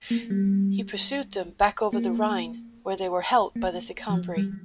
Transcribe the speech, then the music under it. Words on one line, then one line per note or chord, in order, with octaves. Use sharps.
He pursued them back over the Rhine where they were helped by the Sicambri.
A#3
G3
A#3
A#3
F3
G3